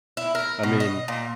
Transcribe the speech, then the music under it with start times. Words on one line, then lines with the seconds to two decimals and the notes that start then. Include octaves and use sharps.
I mean,
0.17 E4
0.35 A#4
0.63 B2
0.80 D#5
1.08 A#2